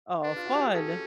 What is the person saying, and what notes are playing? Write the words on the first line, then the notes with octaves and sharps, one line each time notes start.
Oh, fun.
D4 B4
F4
F#4
G4
G#4
C#4 A4